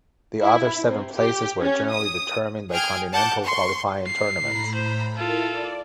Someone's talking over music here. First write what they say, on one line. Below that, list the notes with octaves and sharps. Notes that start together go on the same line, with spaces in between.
The other seven places were generally determined by continental qualifying tournaments.
E4
C3
G4
C#4
D#6
G#4 G5 F6 G#6 D7
F#5 A5 D6 G6
C6 C#6
C7
A2 A#5 B5
C5
E4 F4 A4 A#4
D5